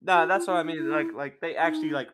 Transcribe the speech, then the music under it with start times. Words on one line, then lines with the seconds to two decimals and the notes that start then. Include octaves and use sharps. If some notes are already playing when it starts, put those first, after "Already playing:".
No, that's what I mean, like like, they actually, like,
0.12 F#4
0.34 F4
0.48 E4
0.63 D#4
0.77 E4
1.62 D#4